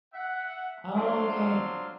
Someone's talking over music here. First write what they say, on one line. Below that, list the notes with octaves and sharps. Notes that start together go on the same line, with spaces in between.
Oh, okay.
E5 F#5
F3 F#3 D4 A4 F5 C6